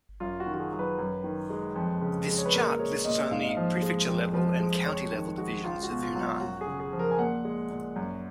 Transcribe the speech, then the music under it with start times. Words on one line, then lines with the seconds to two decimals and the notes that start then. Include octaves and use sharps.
This chart lists only prefecture-level and county-level divisions of Hunan.
0.20 F#2 F4
0.40 F#4
0.46 D#3
0.54 F#4
0.59 G#4
0.72 F#3
0.79 B4
0.99 F#2
1.24 D#3
1.50 G#3
1.75 F2
2.01 C#3
2.27 G#3
2.38 C#5
2.45 B4
2.54 A#2 A#4
2.79 G#3 C#5
3.05 A#2 D#5
3.31 G#2 F5
3.40 D#5
3.49 F5
3.57 F3
3.82 G#3
4.08 F2
4.34 F3
4.60 G#3
4.86 F2 C#5
5.12 D#3
5.38 G#3 F#4
5.64 C#2 F4
5.83 F#4
5.89 B2
6.03 F4
6.15 F#3
6.21 F4
6.41 F#2 F#4
6.61 G#4
6.67 C#3
6.80 G#4
6.93 F3
6.99 A#4
7.11 G#5
7.18 A#2 F#5
7.45 G#3
7.70 A#2
7.96 F#2